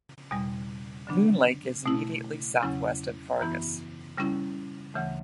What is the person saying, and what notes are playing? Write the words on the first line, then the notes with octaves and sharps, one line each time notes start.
Loon Lake is immediately southwest of Vergas.
E2 B2 G3
D3 F#3 B3 D4
B2 A3 E4
E2 C#3 F#3 C#4 E4
F#2 E3 B3 E4
C#3 G3 C#4 E4
D2 C#3 E3 A3